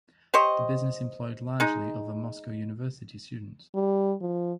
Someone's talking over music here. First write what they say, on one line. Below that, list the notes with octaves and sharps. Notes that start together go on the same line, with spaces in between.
The business employed largely other Moscow university students.
G4 C5 C#5 D#5
G#3 D#4
G3
F3